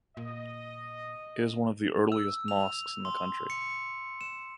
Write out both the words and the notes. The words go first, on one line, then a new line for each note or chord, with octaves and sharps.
It is one of the earliest mosques in the country.
A#2 D#5
E6
F7
C6
C#7
E7